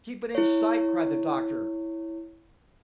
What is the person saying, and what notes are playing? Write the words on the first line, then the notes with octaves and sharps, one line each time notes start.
"Keep it in sight!" cried the doctor.
E4 C#5